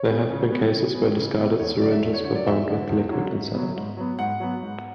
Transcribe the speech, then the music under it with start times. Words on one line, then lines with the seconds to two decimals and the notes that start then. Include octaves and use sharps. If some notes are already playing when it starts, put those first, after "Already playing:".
There have been cases where discarded syringes were found with liquid inside.
Already playing: C#5
0.08 G#3 B3
0.30 C#3
0.52 G#3 B3
0.74 C#3
0.95 G#3 B3
1.16 C#3
1.38 G#3 B3
1.60 E2 C#5
1.81 D3 F#3 D5
1.92 E5
2.03 E2 E5
2.14 C#5
2.24 D3 F#3 C#5
2.35 D5
2.46 E2 E5
2.68 D3 F#3
2.89 E2
3.11 D3 F#3
3.32 G#2
3.54 F#3 B3
3.76 G#2
3.97 F#3 B3
4.19 G#2 F#5
4.40 F#3 B3
4.62 G#2